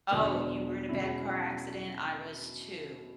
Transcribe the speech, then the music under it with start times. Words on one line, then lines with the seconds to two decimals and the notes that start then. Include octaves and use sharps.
"Oh, you were in a bad car accident? I was, too,"
0.11 E2 B2 G#3 B3 D4
0.89 B2 G#3 C#4 E4